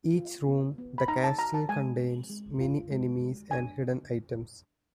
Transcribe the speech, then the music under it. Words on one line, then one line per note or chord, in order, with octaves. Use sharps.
Each room the castle contains many enemies and hidden items.
F4
B3
B3
B5
D#4 A#5
A5
F#4 A#5
A5
G#3 G#5
C4
G#3
F4
G#3
G#3
D4 G#5